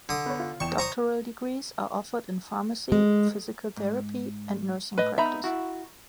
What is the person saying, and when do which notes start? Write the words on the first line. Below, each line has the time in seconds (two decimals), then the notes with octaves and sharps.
Doctoral degrees are offered in pharmacy, physical therapy, and nursing practice.
0.09 D3 D#6
0.26 B3 C#5
0.39 F4
0.60 E2 G5 C#6 E7
0.78 C5 A#5 C#6 D#6
2.92 G#3
3.77 G#2
4.98 A2 B4 D#5
5.18 B3 D#4 E5 A#5 B5
5.44 E4 F#4